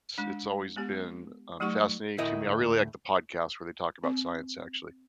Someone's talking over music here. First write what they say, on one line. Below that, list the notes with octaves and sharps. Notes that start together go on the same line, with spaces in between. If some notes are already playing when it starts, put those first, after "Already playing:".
It's it's always been, um, fascinating to me I really like the podcast where they talk about science, actually.
G#3 D4
G#3 B3 G4
F#3 A3 D#4 G4 F#5 C#6
D2 A2 E4 A#4 D#5
C4